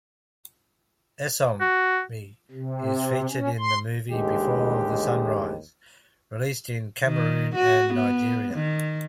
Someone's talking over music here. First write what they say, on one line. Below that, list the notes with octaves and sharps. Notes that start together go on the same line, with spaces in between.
Essome is featured in the movie "Before the Sunrise", released in Cameroon and Nigeria.
F#4
C3
C#4
C6
A1 D#2 D3 G#3 G4
D#3
F#4
B3
D#3